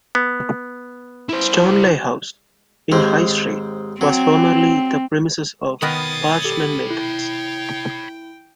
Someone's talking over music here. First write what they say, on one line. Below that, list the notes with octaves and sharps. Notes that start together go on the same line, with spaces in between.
Stoneleigh House, in High Street, was formerly the premises of parchment makers.
B3
E4 C5
D#2 G#2 C4
F#3 C4
D#3 B3 A#4 C#5 B5 D#6 A6
G4 A4
E4 G5